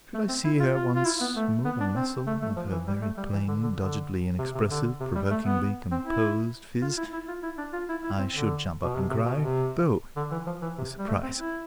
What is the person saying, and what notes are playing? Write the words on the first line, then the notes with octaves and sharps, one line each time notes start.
Should I see her once move a muscle of her very plain, doggedly inexpressive, provokingly composed phiz, I should jump up and cry, "Bo!" with surprise.
A3
C4
E4
F4
F4
F4
E4
B3
A3
B3
D4
C4
A3
A3
F3
E3
G3
A3
G3
E3
D3
D3
D3
C3
C3
D3
C3
G3
A3
B3
C4
E4
F4
E4
E4
F4
E4
D4
F4
E4
E4
C4
D3
B2
C3
C3
B2
C3
D3
E3
F3
E3
C3
G3
A3
C4
E4